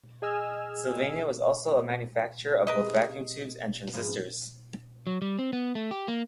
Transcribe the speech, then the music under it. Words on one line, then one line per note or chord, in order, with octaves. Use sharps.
Sylvania was also a manufacturer of both vacuum tubes and transistors.
G#4 D#5 G#5 E6 F6
C3 G#4 A#4 B4 D#5
G#2 B2 F3
F#3
G3
C4
B3
A3
G4
A#3